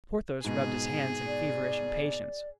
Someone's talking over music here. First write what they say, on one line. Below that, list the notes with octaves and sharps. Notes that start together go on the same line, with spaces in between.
Porthos rubbed his hands in feverish impatience.
G#2 B2 G#4
D5